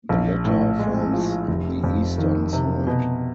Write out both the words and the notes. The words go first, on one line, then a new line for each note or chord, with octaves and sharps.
The latter forms the eastern side.
A#1
A2
G#3
F3
F1
F2
D#3
C3
B2